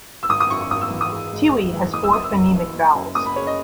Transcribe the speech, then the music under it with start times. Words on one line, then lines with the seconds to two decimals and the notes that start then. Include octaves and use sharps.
Tiwi has four phonemic vowels.
0.23 E6
0.29 G#1 D#6
0.40 D#6
0.50 F#2 C#6
0.61 C#6
0.71 G#1 D#6
0.81 E6
0.91 E3
1.01 D#6
1.11 G#3
1.32 G#2
1.52 G#1
1.73 E3
1.93 F#1 D#6
2.04 E6
2.13 F#2 D#6
2.24 E6
2.34 F#1
2.54 E3
2.75 F#1
2.95 F#2
3.15 F#1 D#6
3.26 B5
3.36 C#3 C#5
3.47 D#5